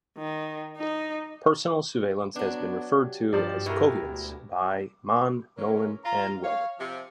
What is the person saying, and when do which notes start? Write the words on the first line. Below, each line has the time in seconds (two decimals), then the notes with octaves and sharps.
"Personal sousveillance" has been referred to as "coveillance" by Mann, Nolan and Wellman.
0.17 D#3
0.76 D#4
2.36 F#3 B3 D4
2.93 G4
3.33 G2 F3 G4 D5
3.66 B2 G#3 E4 A#4
4.03 D2
5.57 E3 F#3 A#3 C#4 A#4 C#5
6.05 F4 A#5
6.43 C#5 F5
6.79 C3 F3